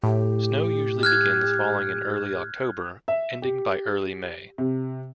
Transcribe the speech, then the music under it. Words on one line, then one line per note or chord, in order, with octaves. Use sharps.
Snow usually begins falling in early October, ending by early May.
A2 G4
F6 F#6 G#6
E5
G4
C3